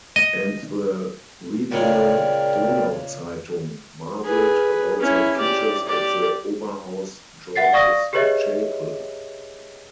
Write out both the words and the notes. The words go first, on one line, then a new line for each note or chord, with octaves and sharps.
And the regional "Donauzeitung" marveled about some features at the Oberhaus George's Chapel.
D#5
A#2 C#3 G#3 A#4 D5 G5
G#4 B4
C#4 E4
G4 D5
G4 D5
E5 F#5 A6 C7
D5 F5 C#6 D#6 A#6
G4 G#4 B4 C#5 D#5 E5